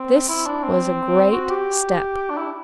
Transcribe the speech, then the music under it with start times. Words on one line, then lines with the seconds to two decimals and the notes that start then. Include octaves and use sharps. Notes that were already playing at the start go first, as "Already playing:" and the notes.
This was a great step.
Already playing: C4
0.29 E4
0.46 D4
0.63 C4
1.32 F#4
1.50 G4
2.30 D4
2.38 E4